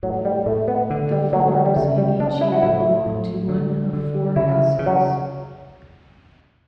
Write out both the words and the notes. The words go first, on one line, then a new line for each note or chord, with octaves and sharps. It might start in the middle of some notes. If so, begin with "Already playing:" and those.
The forms in each year belong to one of four houses.
A2 F#3
G3
A2 A3
B3
D3
G3
D3 F#3
F#3
G3
G3
C#3 A3
G3
C#3 D4
E4
F#4
A2 E4
A2
D3
D3
C#3 E4
C#3
F#3